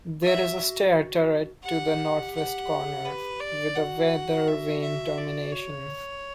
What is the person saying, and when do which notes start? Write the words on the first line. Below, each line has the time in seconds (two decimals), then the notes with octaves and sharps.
There is a stair turret to the north-west corner, with a Weather vane termination.
0.22 F#4 E5
1.63 G4 F#5
2.35 F#5
3.05 B4
3.40 D5
3.76 F#4 F#5
4.47 E5
4.81 E5
5.17 D5
5.52 C#5